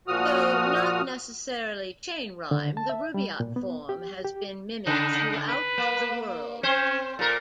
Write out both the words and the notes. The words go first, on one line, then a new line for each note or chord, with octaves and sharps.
Though not necessarily chain rhyme, the Rubiyat form has been mimicked throughout the world.
A#2 F3 F#4 D#6 F6
D3
A5
E5
G3
A#2
B3
G4
G4
C#3 D#4
B4
A#3
C4 C#4 C5
A#2 A4 A#4